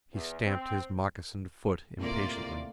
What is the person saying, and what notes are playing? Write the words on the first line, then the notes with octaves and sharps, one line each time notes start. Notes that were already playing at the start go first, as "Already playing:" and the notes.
He stamped his moccasined foot impatiently.
E2
C4
A2 C3 A#3 F4 D5